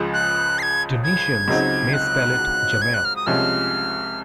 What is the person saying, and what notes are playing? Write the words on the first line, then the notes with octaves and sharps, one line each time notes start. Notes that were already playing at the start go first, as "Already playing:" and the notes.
Tunisians may spell it "Jamel".
Already playing: C#2 C#3 F3 G#3
F#6
C7
G#6
G#6
C#2 C#3 F#3 C4 D#4
F#6
G#6
F#6
F6
D#6
C2 C3 F3 G#3 C#4 F6